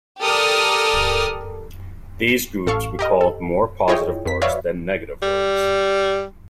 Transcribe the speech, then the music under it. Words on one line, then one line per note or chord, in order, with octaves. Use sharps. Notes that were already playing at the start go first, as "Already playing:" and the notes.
These groups recalled more positive words than negative words.
G4 A4 A#4 D5 D#6 F6
A1 A4 F5 C#6
G4 A#4 D#5
A4
E4 F4 G#4 C#5 D#5 G5
F2 B6
F#4 B4 C#5 D5 E5 F5
G3